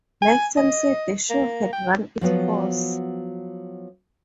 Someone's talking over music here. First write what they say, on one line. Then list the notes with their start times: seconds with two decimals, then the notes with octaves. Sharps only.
Lifetime said the show had run its course.
0.22 G#5
0.57 D#5
1.30 A#3
1.73 G5
2.21 F3 F#3 B3